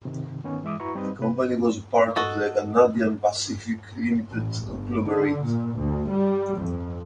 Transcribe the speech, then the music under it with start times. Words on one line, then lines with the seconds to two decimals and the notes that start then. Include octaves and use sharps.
The company was a part of the Canadian Pacific Limited conglomerate.
0.05 C3 D#3
0.44 D#3 B3 C#4
0.64 E3 G#3 E5 D6 D#6
0.80 E4 F#4 B4 A#5 C#6
0.95 G3 C4 D#4 G4 B4 D#5
1.19 C3 B4
2.16 F#4 A4 D#5
4.32 A1
4.66 G1
5.05 D3
5.45 A#2
5.78 D2
6.10 G3
6.60 F2